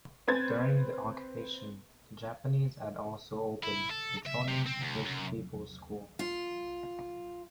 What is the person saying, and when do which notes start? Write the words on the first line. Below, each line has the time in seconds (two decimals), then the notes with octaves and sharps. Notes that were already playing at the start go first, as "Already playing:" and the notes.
During the occupation, the Japanese had also opened the Shonan First People's School.
0.28 C4 B4 C5 G#6 A6
3.64 E4
3.90 A4
4.26 E5
4.48 C3
4.66 C4
4.81 D2
5.05 F#2
6.19 F4